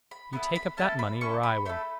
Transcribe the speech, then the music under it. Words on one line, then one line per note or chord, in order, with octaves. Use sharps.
You take up that money, or I will.
B5
B3 E4 A4 B5
B5
C#4 E4 A4 A5
B5
C#4 E4 A4 C#6
B5
A3 E4 A4 B5